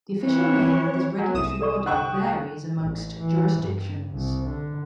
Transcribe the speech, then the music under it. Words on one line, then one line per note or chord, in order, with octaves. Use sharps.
The official name of this regulatory body varies among jurisdictions.
E3 C4 C#5
F#3 G#5
C2 D#6 E7
A4 D5 C#6
F#5 G5 C#6 F#6
A1
E3
G2
C2
D3